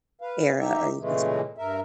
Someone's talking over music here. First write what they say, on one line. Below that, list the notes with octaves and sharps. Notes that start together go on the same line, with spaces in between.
era are you considered?
B4 F5
D#4 G4 E5
A#2 C#3 E3 G#3 A3
G2 A#4 E5